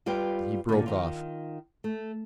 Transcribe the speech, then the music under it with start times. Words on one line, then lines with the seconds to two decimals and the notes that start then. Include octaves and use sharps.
He broke off.
0.06 G3 F4 G4 B4 G5
0.69 A#2 D3
0.86 D#3 F4
1.84 A3